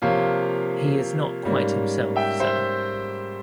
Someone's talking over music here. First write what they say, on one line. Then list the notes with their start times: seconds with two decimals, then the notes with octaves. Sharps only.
He is not quite himself, sir.
0.02 C3 F3 A#3 C#5 F5
1.45 G#2 G3 A#3 C#4
2.16 E5 G5
2.40 C5 E5